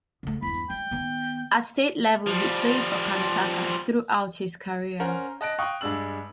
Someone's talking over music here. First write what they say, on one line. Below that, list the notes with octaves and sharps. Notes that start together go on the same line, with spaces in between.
At state level he played for Karnataka throughout his career.
C#3 A3
E2 G2 B5
G3 G5
D#3 B3
F3 G3
C#4 A#4 C5 F#5 A#5
D#5 A5 F#6 A#6 D7
F5 G5 C#6 D#6 F#6
G2 G#3 D4 E6 F#7